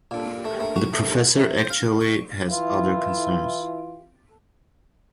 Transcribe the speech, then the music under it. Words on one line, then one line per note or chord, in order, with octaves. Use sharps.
The professor actually has other concerns.
A#2
A3
A3
F#4
A3
C3
C5
F5
C#6
E3 E4 F4